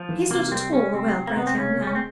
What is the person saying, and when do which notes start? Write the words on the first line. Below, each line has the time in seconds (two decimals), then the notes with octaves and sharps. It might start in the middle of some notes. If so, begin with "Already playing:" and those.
He is not at all a well-bred young man.
Already playing: F3
0.09 E3
0.30 C3 A#3
0.51 G3 C4
0.72 G3 C#4
0.93 C3 C4
1.15 C3
1.27 A#3
1.36 C3 B3
1.47 C4
1.57 C#3 C#4
1.78 G#3
1.87 C#4
1.95 C4